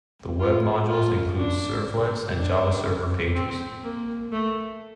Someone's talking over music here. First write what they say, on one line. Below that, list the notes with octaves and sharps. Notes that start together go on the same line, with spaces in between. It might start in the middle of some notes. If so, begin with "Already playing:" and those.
The Web modules include servlets and JavaServer Pages.
F4
F4
D4
D4
C4
A#3
A3